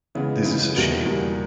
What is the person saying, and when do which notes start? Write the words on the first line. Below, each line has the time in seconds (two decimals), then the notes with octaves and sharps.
This is a shame.
0.15 C#3 E3 G#3 B3
0.44 C#3 E3 G#3 B3
0.75 E2 B2 G3 A#3
1.05 E2 B2 G3 A#3